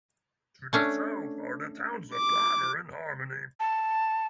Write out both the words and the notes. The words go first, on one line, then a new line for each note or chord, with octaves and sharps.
To the south are the towns of Clymer and Harmony.
A3 C#4 D4
D6
A5